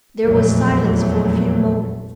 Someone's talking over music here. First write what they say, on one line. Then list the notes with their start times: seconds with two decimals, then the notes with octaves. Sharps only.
There was silence for a few moments.
0.25 F1 A#1 E2 F#3 G#3 A3